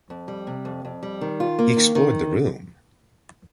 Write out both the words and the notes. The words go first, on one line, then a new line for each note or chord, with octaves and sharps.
He explored the room.
F2
G3
C3
F2
F2
G3
D#3
F4
A#3
D#3
D#3